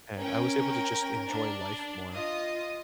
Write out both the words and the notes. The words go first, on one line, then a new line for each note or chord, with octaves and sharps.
and I was able to just enjoy life more
C#4 A#4 G5
D4
F4 D#5 D#6